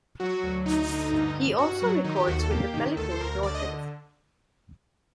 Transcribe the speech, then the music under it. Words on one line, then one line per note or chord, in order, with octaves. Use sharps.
He also records with the Pelican Daughters.
F#3 F#4
D2
D2 D#4
D3
G2
G2
G2 F#4
F#3
D#3 D#4
G4
D#2 F#4
A4
A#3 G4
D#3
D2 A4
C5
D2 A#4
D3 D5
D#5